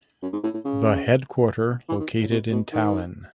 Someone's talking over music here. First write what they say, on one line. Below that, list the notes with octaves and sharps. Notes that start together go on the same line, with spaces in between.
The headquarter located in Tallinn.
F#2
G#2
A2
A2
C#3
E3
D#3
A2
B2
B2
D#3